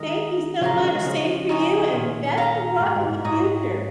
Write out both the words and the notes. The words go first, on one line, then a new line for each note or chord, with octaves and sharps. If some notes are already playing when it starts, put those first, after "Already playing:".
Thank you so much. Same for you, and best of luck in the future.
Already playing: D#3 G#3 A#4 D#5 A#5
C#3 F3 C#5 F5 A#5
F3
D#3 G#3
D#3 G#3
C#3 F3
D#4 C#5 G#5
A#2 D#3
A#4 F5 A#5
G#2
G#2
G#2
G#2 C#5 A#5 D#6